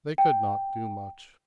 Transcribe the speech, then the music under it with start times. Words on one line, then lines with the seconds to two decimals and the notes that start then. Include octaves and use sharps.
They could not do much.
0.18 G5